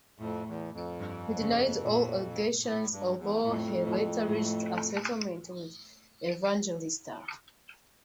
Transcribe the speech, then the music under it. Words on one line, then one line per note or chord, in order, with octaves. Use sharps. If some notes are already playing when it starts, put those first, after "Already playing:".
He denied all allegations, although he later reached a settlement with Evangelista.
F2 A2
E2
F2
G2
C#3
A#2
A2
G2
E2
F2 A2
A2
A2